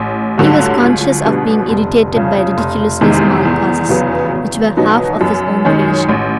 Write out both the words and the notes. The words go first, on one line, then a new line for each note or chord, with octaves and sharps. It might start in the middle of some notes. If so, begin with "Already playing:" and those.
He was conscious of being irritated by ridiculously small causes, which were half of his own creation.
Already playing: A1
G2 D3 F#3
C#2
B2 G3 B3 D4
F1
F2 C#3
F1
E2 C3 D#3 G#3
E2
C#3 F#3 B3
E2
B2 F#3 B3 D#4
F#2
D#3 G#3 C#4
A1